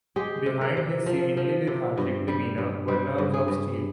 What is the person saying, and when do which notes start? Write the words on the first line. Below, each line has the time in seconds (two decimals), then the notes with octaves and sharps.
Behind his seemingly lethargic demeanor were nerves of steel.
0.16 G#3 G4
0.46 C3
0.61 A#4
0.77 C3
1.06 F3
1.37 F3
1.67 C3
1.98 G2
2.28 G3
2.58 G2
2.88 G3 C5
3.18 G2
3.33 G#4
3.48 G2